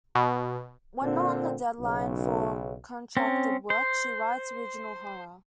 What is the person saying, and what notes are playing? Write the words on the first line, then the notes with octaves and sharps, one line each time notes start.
When not on deadline for contracted work, she writes original horror.
B2
A#2 D3 C4
B1 C#3
C4 C#4
C5